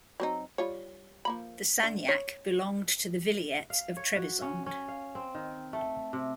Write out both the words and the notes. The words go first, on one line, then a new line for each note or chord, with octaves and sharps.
The sanjak belonged to the vilayet of Trebizond.
F#3 C4 D#4
G3 F4 C#5
F3 A#3 B5
D3
C#5
F5
C#5
F#4
C#4
C#4
F5
C4
D#3
A3
C3